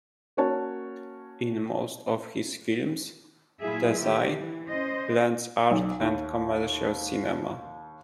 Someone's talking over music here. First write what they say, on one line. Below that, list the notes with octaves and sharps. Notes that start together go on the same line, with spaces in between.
In most of his films, Desai blends art and commercial cinema.
A#3 C#4 F#4 C#5 A5
A#2 F#3 E4 F4 G#4 E5
D#3 G4
E3
C#4 C5 D#5
B1
D#2